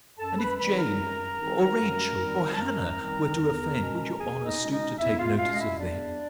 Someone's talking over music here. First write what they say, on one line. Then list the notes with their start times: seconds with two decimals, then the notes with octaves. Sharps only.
And if Jane, or Rachel, or Hannah, were to offend, would your honour stoop to take notice of them?
0.19 F#2 A4 A5
0.39 B4 B5
0.59 D#3 G3 C4 D#4 B4 B5
0.78 A#4 A#5
0.99 F#2
1.39 D#3 G3 C4 D#4
1.79 F#2
2.18 D#3 G3 C4 D#4
2.54 A5
2.59 F#2 A#4 A#5
2.99 D#3 G3 C4 D#4
3.39 E2
3.79 B2 G#3 C#4
4.19 E2 G#4 G#5
4.46 D#4 D#5
4.59 B2 G#3 C#4
4.72 D#4 D#5
4.99 E2 E4 E5
5.18 F4 F5
5.38 B2 G#3 C#4 F4 F5
5.53 D#5
5.59 E4 E5
5.79 E2 D4 D5